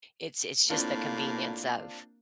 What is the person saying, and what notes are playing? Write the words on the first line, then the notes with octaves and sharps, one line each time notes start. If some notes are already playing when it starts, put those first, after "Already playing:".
It's it's just the convenience of
A2 A#3 C4 D4 F4